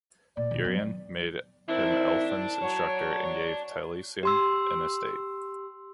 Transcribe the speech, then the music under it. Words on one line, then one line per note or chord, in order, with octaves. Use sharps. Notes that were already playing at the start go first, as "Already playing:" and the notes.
Urien made him Elffin's instructor, and gave Taliesin an estate.
A#2 D5
D#2 C3
F#3 B3
D#3 C4 D4 E4
F#3 C#5
G4 C6 E6